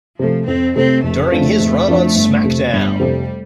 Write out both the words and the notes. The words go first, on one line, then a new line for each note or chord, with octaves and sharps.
During his run on SmackDown!
C3 F3 A3
F2 C4
C3 A3 C4
F1 A3
F2 F3 D4
F1
F2 F3 D4
G1
F2 C3
G1 G3
F2 C3